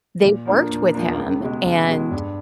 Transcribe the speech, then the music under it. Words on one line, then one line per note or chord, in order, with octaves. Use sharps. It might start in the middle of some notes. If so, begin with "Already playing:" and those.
they worked with him, and,
A#2
F3 A#3 D4
A#2
F3 A#3 D4
C#2
B2 G#3
C#2
B2 G#3
G2